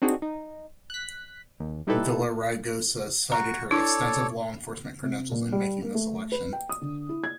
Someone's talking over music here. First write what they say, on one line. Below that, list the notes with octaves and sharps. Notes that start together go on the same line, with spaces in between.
Villaraigosa cited her "extensive law enforcement credentials" in making the selection.
C4 D4 D#4 F#4 G#4
D#4
F#6 B6
D#2
G3 D#4 E4 G4 A4 B4
F#4 A#5 C#6
D4 E4 A4 C#5 D5
C3
A#2
G3
A#3
A3
B4
G5
D#6
D3
E4
G#6